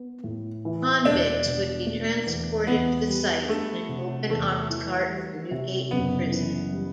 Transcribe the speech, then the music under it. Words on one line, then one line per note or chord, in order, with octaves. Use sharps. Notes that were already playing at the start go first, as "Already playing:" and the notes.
Convicts would be transported to the site in an open ox-cart from Newgate Prison.
Already playing: B3
A2
E3
E1 D4
B2
A3
E2
E2 B3
G3
A3 D4
C3
E2 A3
E3
G3
C3
F#1 B3
E3
G3